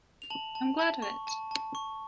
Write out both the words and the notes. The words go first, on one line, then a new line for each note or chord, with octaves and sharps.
I'm glad of it!
F7
A5 F#7
A5
A5
C#6
A5
A5
C#6